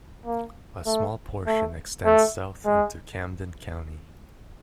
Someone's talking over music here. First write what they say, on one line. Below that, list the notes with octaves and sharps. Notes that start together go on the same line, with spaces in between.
A small portion extends south into Camden County.
A#3
A3
A3
A3
G#3